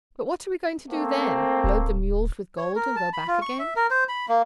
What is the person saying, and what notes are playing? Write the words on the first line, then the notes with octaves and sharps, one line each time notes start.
"But what are we going to do then--load the mules with gold, and go back again?"
A3 A#3 C4
D1
C#5
A#4
A5
B5
F4
C#6
E5
A#4
C5
B5
A#3